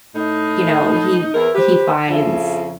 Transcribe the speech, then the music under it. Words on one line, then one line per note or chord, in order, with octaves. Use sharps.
you know, he he finds
A2 D#4
E2 E4 A#4
G4 B4 C5
F2 C#3 E4